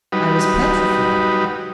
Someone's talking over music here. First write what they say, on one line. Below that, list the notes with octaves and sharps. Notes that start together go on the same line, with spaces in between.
I was petrified.
F#3 G3 D#4 B4